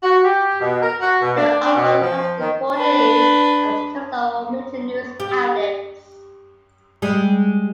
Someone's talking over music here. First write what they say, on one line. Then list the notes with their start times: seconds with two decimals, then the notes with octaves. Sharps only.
The uproar lasted for days and was covered on all major news outlets.
0.03 F#4
0.24 G4
0.60 B2
0.82 A#4
1.01 F#4
1.21 B2
1.37 D4
1.62 D4
1.75 B2
2.02 F3
2.39 D#3
2.74 D4 B4
5.20 G4
7.02 G3 G#3 G#4